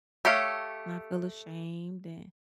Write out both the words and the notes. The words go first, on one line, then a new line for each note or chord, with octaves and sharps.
not feel ashamed and
A3 G4 A4 C#5 F5